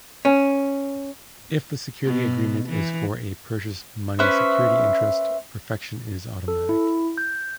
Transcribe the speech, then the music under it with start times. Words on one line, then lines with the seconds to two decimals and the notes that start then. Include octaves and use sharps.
If the security agreement is for a purchase money security interest, perfection is automatic.
0.25 C#4
2.05 B2
2.69 E3
4.19 C#4 B4 C5 E5
6.48 A4
6.69 E4
7.18 G6